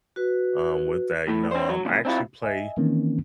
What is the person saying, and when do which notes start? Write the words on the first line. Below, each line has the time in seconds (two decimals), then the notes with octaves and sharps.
um, with that, you know, um, I actually play,
0.16 F#4 B4
1.28 A2 A3
1.51 C#4 C5
1.69 F#3
1.85 B1 F#2 A#2 C#3
2.05 C4 D4 E4 F4
2.43 D#5 E5 G#5
2.77 D#3 E3 A#3 C4 C#4